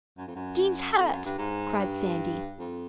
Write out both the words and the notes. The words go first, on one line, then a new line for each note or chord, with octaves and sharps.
"Jean's hurt," cried Sandy.
F#2
F2
F#2
F2
F#2
G2
G#2
G2
F2